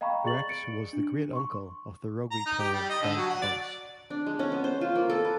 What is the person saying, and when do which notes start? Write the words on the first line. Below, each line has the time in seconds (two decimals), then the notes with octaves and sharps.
Rex was the great uncle of the rugby player Frank Bunce.
0.01 D#5 F5 G5 A#5 B5 C#6
0.24 G#4 D5 C#6 A6 F#7
0.48 A6 C#7 D7
0.93 D4
1.33 C6 C#6
2.31 A#5
2.46 D#4
2.59 G4
2.73 G3
2.89 D#5
3.02 D3
3.17 F#3
3.30 F#5
3.42 D5
4.10 D4
4.26 G#3
4.39 C#4
4.52 B3
4.64 C5
4.81 F4
4.96 A#3
5.10 A4
5.25 B4